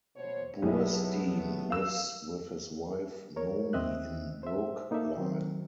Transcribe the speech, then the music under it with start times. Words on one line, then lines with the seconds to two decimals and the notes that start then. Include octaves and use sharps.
Burstein lives with his wife Nomi in Brookline.
0.16 B2 C5 C#5
0.62 B1 F#3 A3 B3 E4 G4 G#4
1.70 F5 E6
3.36 A#4 C#5
3.73 D#2 C4 D#5 E5 F#6
4.43 C5 E5
4.91 A#3 D#4 A4 D5 E5
5.18 D#3 F#3 C4